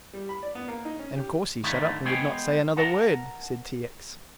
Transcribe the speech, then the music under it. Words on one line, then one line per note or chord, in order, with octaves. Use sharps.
"And of course he shut up and would not say another word," said T. X.
G3
B5
D5
B3
A#3
D#4
C#4
G4
G#2 D3 D#3 A3 A#3 E4
G#3 B3 C5 C#5 G5 G#5
A#4 F#5 A5 A#5